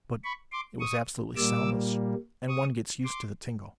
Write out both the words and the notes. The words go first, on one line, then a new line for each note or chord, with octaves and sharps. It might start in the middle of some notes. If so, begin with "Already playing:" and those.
But it was absolutely soundless, and one gets used to the tingle.
B5 C#6
C6 D6
C#6 D#6
A#2 G3 A#3 D6 E6
C#6 D#6
C6 D6